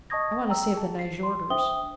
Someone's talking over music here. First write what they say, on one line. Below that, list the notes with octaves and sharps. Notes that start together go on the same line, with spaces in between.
I want to save the Nyjorders.
D#5 A5 C#6 D#6 G#6 A#6
G5 A#5 E6
G#4 A5
C7
C6
D4 C5 E5 G5 D#6 G7